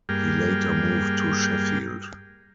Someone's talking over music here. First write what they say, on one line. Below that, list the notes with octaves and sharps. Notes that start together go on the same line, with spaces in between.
He later moved to Sheffield.
G2 G3 A#3 G#4 G5 F6